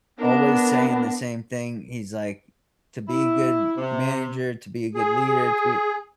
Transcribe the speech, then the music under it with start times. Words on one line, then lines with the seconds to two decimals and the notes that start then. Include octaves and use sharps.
always saying the same thing. He's like, "To be a good manager, to be a good leader, to be
0.18 B3 D4 A#4
3.09 E4
3.77 C3
4.95 G#4